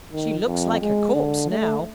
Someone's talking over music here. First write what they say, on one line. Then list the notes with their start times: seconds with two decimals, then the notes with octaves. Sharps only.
She looks like a corpse now.'
0.13 D#3
0.46 F2
0.81 G#3
1.14 D3
1.50 A3